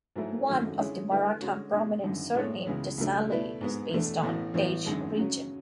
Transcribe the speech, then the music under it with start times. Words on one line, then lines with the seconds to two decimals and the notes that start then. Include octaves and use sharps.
One of the Maratha prominent surname 'Desale' is based on 'Desh' region.
0.16 G#2 F#3 A3 E4
0.47 G#1 F#2 C#3 F#3 A3
0.79 D3 G#3 C#4 E4 G#4
1.10 D3 A3 E4 B4
1.41 D3 G#3 C#4 F#4
1.73 B2 G#3 D4
2.04 G#1 F#2 D3
2.35 A2 G#3 D4 A4 C#5
2.66 C#2 C#3 E3 G#3 B3
2.98 C#2 C#3 F#3 A3 D4
3.29 B2 A3 E4 B4 D5
3.61 G#2 G#3 B3
3.91 E2 B2 A3 D4
4.23 A1 A2 E3 B3
4.54 A1 A2 E3 B3
4.85 G#1 F#2 D3 G#3
5.16 C#3 F#3 C#4